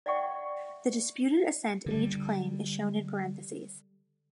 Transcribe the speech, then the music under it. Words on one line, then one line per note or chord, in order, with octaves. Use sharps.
The disputed ascent in each claim is shown in parentheses.
D5 E5 F#5 G5 C#6
D3 G3